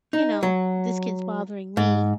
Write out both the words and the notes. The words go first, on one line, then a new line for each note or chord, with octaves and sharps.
you know, this kid's bothering me."
D#4
F#3
G#2